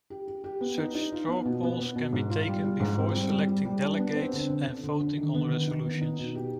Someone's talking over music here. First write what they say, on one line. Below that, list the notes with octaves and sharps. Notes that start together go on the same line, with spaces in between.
Such straw polls can be taken before selecting delegates and voting on resolutions.
G4
G4
G4
B3
D#4
D#4
F4
B3
B2
B3
B3
B2
G#2
F4
G3
F4
G#2
C4
G3
G3
G3
G3
D4
B3
C4
D3
D3
D3
D3
D3
D#3
B3
D#3
D#3
B3
D#4
B2
G4